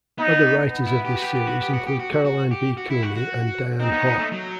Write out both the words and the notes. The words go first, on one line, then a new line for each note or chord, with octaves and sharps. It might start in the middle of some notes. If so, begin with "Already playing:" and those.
Other writers of this series include Caroline B. Cooney and Diane Hoh.
B3 D#4
B3
E4
G4
F#4
G4
G4
F#4
G4
F#4
G4
F#4
F#4
F#4
G4
F#4
E4
F#4
F#4
C4 D#4
B3
B3
A3
F#3